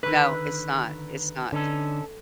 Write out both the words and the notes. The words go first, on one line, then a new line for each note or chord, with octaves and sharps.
No, it's not, it's not.
D3 D#3 B4
D3 C#4 D#4 A4